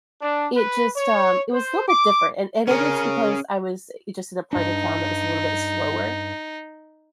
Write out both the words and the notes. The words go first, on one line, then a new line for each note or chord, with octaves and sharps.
it just, um, it was a little bit different, and and maybe it's because I was just in a part of town that was a little bit slower,
D4
B4
C#5
C5
D6
C#4 G#4 A#4
G2 D4 D#4